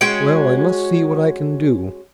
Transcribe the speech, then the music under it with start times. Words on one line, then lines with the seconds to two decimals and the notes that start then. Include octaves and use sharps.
Well, I must see what I can do.
0.01 G#3 C#4 F#4 G5